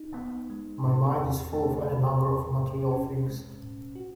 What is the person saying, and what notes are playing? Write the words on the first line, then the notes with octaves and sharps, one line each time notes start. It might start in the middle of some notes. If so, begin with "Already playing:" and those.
My mind is full of any number of material things.
Already playing: D#4
B3
G#3
A2
E2
A3
B2
E2
A2
C#4
G#3
A2
F#4